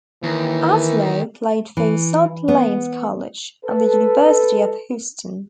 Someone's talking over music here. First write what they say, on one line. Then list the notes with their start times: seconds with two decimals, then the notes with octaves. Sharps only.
Outlaw played for South Plains College and the University of Houston.
0.23 D#2 E3
1.77 E3
2.48 B3
3.65 A4 B4